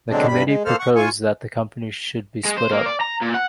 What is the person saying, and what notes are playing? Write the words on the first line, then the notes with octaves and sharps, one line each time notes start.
The committee proposed that the company should be split up.
B2 D3 F#3 G#3 C4 D4
G2 C3 G3 B5
G#3
A#3 A4 C5 F6
F#5 C#6
F4 G#5 C#6
G#3
C5
A#3
D5
A#5
A#2
F#5